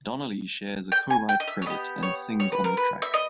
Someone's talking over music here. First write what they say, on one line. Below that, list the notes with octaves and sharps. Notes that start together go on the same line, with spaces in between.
Donelly shares a co-write credit and sings on the track.
G5
G#5
G5
D#5
E5
C#5
B3 G4 D#5
C#5
C#5
B4
A#4
B4
E5
D#5